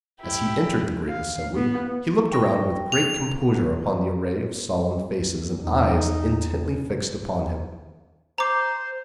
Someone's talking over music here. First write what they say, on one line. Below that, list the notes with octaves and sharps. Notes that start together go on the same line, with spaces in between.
As he entered the grave assembly, he looked around with great composure upon the array of solemn faces and eyes intently fixed upon him.
E4 G4
F5
B3
G5 C#6 A#6
F7
E2 D#4
C5 A#5 D6